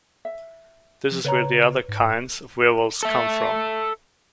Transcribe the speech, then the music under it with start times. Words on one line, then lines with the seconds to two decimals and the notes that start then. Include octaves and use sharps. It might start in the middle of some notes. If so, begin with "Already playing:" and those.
This is where the "other" kinds of werewolves come from.
0.25 E5
1.11 F3
1.24 C#3 B4 C#5 A#5
1.88 G#2
3.03 A4 E5